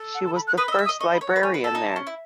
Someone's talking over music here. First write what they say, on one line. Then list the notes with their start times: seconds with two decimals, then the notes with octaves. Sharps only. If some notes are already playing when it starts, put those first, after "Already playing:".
She was the first librarian there.
Already playing: A4
0.15 F#5
0.26 A5
0.36 B5
0.47 F#6
0.58 B4 D#6
0.68 D#5 E6
0.79 E5
0.86 D#6
0.89 D#5
1.00 D#5 C#6
1.14 B5
1.21 C#5
1.29 F#5
1.36 B4
1.43 C#5 G#5
1.54 B4
1.64 A4 A5
1.75 D#4
1.96 C#4
2.07 E4